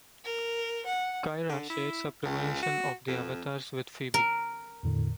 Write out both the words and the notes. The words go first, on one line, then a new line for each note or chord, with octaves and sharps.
Kyra shares her premonition of the Avatars with Phoebe.
A#4
F#5
D3
E4
C#2
F#4
F2
A#4
E2 A2 D3